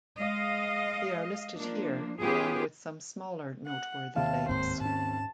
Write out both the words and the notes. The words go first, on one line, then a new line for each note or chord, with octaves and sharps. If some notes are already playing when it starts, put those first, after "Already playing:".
They are listed here along with some smaller noteworthy lakes.
G#3 D#5 F5
F3 A#3 D4
B3 C#4 F4 G4 G#4 B4
F#5
D#2 E5 F5 A5
D1 G#2 C4 C5
G#2 C#4 A5